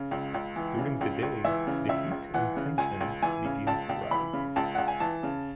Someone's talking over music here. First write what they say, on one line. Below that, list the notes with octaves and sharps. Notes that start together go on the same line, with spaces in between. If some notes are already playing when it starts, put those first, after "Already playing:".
During the day, the heat and tensions begin to rise.
Already playing: C#3
C#2
C#2
E3
C#3
C#2
C#2
E3 E5
C#3
C#2 E5
C#2
E3 F#5
C#3
C#2 G#5
C#2
E3 G#5
C#3
C#2 A5
C#2
E3 B5
C#3
C#2 A5
C#2 F#5
G#5
E3 A5
C#3